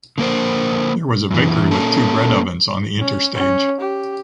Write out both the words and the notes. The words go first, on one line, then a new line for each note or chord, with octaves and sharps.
There was a bakery with two bread ovens on the interstage.
D3 A#3 A#4 C5
F#2 E3
A#3 C#4 A4
C#4
C#4
G4